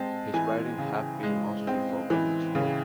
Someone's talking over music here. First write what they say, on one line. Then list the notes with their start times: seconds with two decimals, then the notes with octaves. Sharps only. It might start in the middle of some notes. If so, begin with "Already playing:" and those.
His writings have been mostly forgotten today.
Already playing: G#3 C4 A5
0.34 E3 G#5
0.78 C#3
1.23 G#3
1.67 C4
2.10 E3
2.55 C#3